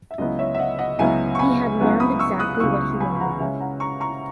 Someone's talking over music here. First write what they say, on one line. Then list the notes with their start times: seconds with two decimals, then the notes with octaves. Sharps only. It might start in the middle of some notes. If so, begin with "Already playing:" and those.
He had learned exactly what he wanted.
0.11 E5
0.18 C#2 C#3 F#3 B3 E4 D#5
0.39 C#5 E5
0.55 E5
0.59 D#5 F#5
0.79 D#5 F#5
0.99 C#2 C#3 F#3 B3 E4 E5 G#5
1.35 C#6
1.39 G#5 B5
1.79 C#2 C#3 F#3 B3 E4
2.00 B5 D#6
2.19 C#6 E6
2.39 D#6 F#6
2.54 F#6
2.60 C#2 C#3 F#3 B3 E4 C#6 E6
3.00 G#5 B5
3.15 B5
3.20 F#5 A#5
3.40 C#3 G#3 C#4 E4 E5 G#5
3.60 F#5 A#5
3.80 A#5 C#6
4.00 A#5 C#6